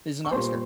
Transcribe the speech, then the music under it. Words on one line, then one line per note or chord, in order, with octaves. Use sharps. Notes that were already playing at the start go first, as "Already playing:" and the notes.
He's an oscar.
C#6
A#2 G3 A#3 C5 C6